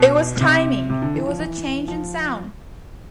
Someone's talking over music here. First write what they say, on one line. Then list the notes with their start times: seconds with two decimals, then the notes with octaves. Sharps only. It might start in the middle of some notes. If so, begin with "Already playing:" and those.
It was timing; it was a change in sound.
Already playing: B2
0.41 C3
0.90 C3
1.02 D3
1.14 E3
1.27 F3
1.39 E3
1.88 F3